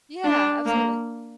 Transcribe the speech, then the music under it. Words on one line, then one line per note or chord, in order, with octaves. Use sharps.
Yeah, absolutely.
D4
A#3